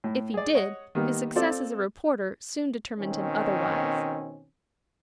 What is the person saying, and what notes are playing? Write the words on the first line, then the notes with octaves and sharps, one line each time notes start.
If he did, his success as a reporter soon determined him otherwise.
A2
G#4 D5
C#5 D#5 F#5
D#3 G3 A#3 B3
C4 F4 A4 D5
B2 D#3 C4 C#4